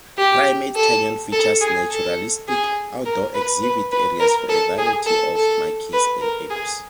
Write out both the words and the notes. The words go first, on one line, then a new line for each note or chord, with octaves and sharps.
'Primate Canyon features naturalistic, outdoor exhibit areas for a variety of monkeys and apes.
G4
A4
A4
G#4
A4
G#4
A#4
B4
B4
B4
A#4
A4
G#4
A4
A4
B4
A#4
G#4